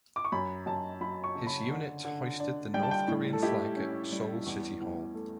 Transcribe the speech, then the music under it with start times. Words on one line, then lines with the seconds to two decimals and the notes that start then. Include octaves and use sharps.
His unit hoisted the North Korean flag at Seoul City Hall.
0.16 D6
0.25 C#6
0.32 F#2 B5
0.66 F#2 A5
1.01 F#3 B5
1.24 C#6
1.35 C#3
1.47 B5
1.71 D3
2.05 D3
2.40 D4
2.74 G3 G5
2.83 A5
2.91 G5
3.08 A2
3.33 A4
3.43 E4 G4
3.77 C#4
4.12 G3
4.46 E2
4.81 E2
5.14 A3